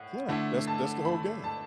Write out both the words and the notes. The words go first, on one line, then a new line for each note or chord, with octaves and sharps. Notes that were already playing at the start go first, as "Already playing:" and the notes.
Yeah, that's that's the whole game.
Already playing: A2 F#5
D3 A3 E4 F#5
A5
B5
A5